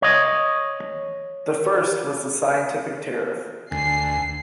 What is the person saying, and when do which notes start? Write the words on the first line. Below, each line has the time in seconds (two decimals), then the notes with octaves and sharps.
The first was the "scientific tariff".
0.02 C#5 D#5
3.71 D2 G#5 C7